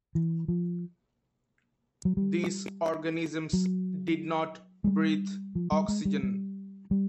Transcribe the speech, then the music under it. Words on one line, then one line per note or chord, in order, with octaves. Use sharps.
These organisms did not breathe oxygen.
E3
F3
F#3
G3
F#3
G#3
G3
F3
G3
G#3
G3
G3
G3